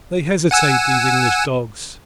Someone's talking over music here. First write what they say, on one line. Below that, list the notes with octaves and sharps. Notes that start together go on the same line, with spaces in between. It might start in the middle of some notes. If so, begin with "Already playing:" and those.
They hesitate, these English dogs!
F#5 G#5 E6